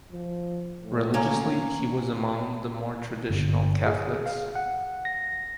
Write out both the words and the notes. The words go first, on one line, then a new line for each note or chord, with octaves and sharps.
Religiously he was among the more traditional Catholics.
F3
A2
A#3 C#4 A#5
G1
G#4
F5
F#5
A#6